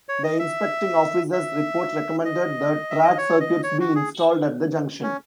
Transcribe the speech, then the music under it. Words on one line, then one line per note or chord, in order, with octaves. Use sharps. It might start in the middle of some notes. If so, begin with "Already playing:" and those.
The Inspecting Officer's report recommended that track circuits be installed at the junction.
C#5
D#5
E5
E5
D#5
E5
D#5
C#5
D#5
C#5
F#4
G#4
C#4